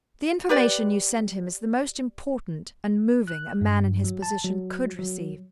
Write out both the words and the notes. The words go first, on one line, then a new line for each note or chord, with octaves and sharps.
"The information you sent him is the most important, and moving, a man in his position could receive."
G4 B4 D5
F#6
G2
F#3
A5
F#3
F#3